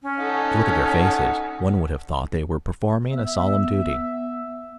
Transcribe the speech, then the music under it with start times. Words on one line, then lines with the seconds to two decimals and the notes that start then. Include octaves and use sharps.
To look at their faces one would have thought they were performing a solemn duty.
0.03 C#4
0.19 D#4 A4 F#5
3.12 B3 E5